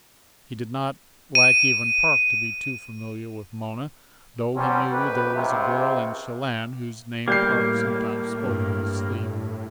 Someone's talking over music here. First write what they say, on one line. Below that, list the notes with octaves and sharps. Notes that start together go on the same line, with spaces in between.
He did not like even Park to be too familiar with Mona, though he knew there was a girl in Shellanne whose name Park sometimes spoke in his sleep.
D#7
E2 F#3 G3 C4 C#4
A#1 F2 G4 B4
C#2 C3
A2 G3 A#3 G6 C7
G2